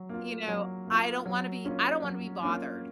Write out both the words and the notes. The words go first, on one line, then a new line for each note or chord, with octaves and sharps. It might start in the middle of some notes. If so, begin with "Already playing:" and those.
you know, I don't wanna be I don't wanna be bothered.
Already playing: F#3
A#3 F4
F#3
A#3 F4
F#3
A#3 C#4 F4
F#3
A#3 C#4 F4